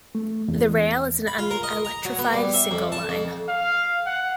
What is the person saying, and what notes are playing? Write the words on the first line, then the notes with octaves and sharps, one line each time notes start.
The rail is an unelectrified, single line.
A3
E2
B5
F4
A#4
D#5
A#5
F#3
B3
G3
E5
F2
A5
F2
F5
F#5